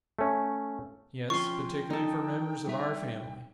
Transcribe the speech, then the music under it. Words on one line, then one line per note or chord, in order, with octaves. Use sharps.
"Yes. Particularly for members of our family."
A3 C#4
F3 C#4 F4 G5 C6 C#6
D#4 A4
G3 E5